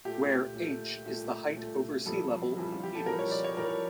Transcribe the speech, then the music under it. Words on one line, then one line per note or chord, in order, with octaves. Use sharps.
Where "h" is the height over sea level in meters.
A#2 A3 G4
A#2 A3
A#2 A3
A#2 A3
F2 E3 G3 A4
F2 E3 G3
F4
G4
A4
F2 E3 G3 A#4
C#5
D5
C#5
F2 E3 G3 A#4